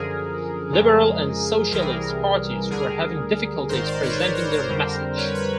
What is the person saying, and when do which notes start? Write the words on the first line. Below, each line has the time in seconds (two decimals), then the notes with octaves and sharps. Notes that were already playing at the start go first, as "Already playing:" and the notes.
Liberal and socialist parties were having difficulties presenting their message.
Already playing: F#2 D3 F3 G#4 A#4
0.73 F2 C#3 F3 G#3
1.72 C2 C3 E3 G3 G#4 A#4
2.70 D2 D3 G3 G#4 A#4
3.69 G#1 G#2 D#3 A#4 C5
3.86 C5 D5
4.02 B4 C#5
4.19 A#4 C5
4.35 A#4 C5
4.51 A#4 C5
4.68 F2 D3 G3
5.18 B4 C#5
5.35 B4 C#5